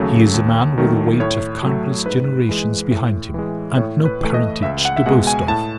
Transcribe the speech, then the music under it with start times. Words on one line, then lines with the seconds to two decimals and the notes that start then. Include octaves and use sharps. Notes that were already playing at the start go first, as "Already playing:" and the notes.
He is a man with the weight of countless generations behind him and no parentage to boast of. . . .
Already playing: D#2 C#3 F#3 A3
0.34 D#2
0.78 D#3 F#3 A3
1.20 A2 C#5
1.63 F#3 A3
2.06 G#2 B4
2.49 E3 G#3
2.91 A2
3.34 E3 G#3
3.77 A2 C#5
4.05 B4
4.21 E3 A3
4.34 D#5
4.63 C#2 E5
4.85 F#5
4.96 E5
5.06 B2 G#3 F#5
5.27 G#5
5.48 A2 A5